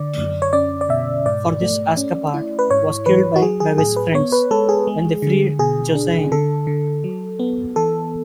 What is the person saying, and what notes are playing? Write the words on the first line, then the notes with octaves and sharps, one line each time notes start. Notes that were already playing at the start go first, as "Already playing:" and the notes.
For this Ascapart was killed by Bevis' friends when they freed Josiane.
Already playing: D3 D5
F#2
C#5
C#4 D5
D5
B2 E5
G#2 D5
A3
C#4
E4
B4
G#2 C#5
E3 B4
F#4
F#3 G#4
G#4
A2 G#4
B4
B3 C#5
B4
G#3 A4
G#4
G#3
D3
B2 G#4
D4
D3 A4
D3
F#3
B3
E3 A4